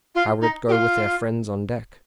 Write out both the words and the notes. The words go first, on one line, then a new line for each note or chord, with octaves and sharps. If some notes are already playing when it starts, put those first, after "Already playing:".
How would it go with their friends on deck?
F4
D#4
G4
F4